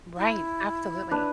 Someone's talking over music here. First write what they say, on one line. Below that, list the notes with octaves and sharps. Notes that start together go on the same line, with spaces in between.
Right. Absolutely.
E4
D4 B4